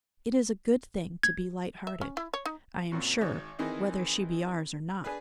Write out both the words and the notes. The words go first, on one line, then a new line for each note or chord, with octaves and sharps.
"It is a good thing to be light-hearted, I am sure, whether she be ours or not."
G#6
E5
C#4
E4
C#5
D#4
F#2 A#2 C4
G#1 G#2
D#3 E3 C4 D#4 G#4
D4 G#4 B4